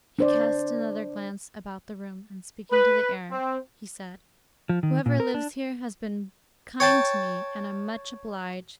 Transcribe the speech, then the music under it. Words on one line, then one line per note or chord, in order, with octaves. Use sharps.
He cast another glance about the room and, speaking to the air, he said: "Whoever lives here has been kind to me, and I'm much obliged."
D4 C5 D5
B4
C4
F3
D#3
A#2
A#4
D4
C#5 G5 A5